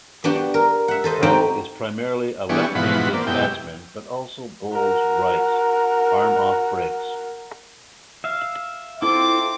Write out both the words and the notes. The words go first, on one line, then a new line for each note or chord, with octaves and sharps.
Pratt is primarily a left-handed batsman but also bowls right-arm off breaks.
B3 D4 F#4 G4
A#4
E5 F#5
A4 C5 D#5
C4 D#4 F#4 G4 G5
E3 G3 B3 D4 G#4 C#6
G#2 B2 E3 F3 F#4 B5
A#3 C4 D5
F#2 B2 G#3 E4 G4 G5
F#4 A#4
E5 F5
C4 E4 F4 A4 D6